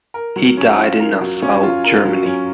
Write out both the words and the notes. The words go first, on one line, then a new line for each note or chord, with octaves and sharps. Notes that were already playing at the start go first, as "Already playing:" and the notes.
He died in Nassau, Germany.
A#4
F#3
C#4
F4
A#4
F#3
C#4
F4
A#4
F#3
C#4